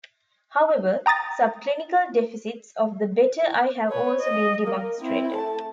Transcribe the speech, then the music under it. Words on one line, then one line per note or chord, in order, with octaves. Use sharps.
However, subclinical deficits of the "better" eye have also been demonstrated.
G5 A#5 D#6 A6 A#6
B4 C#5
D#5
A#3 A#4
C4 E4
A3 A5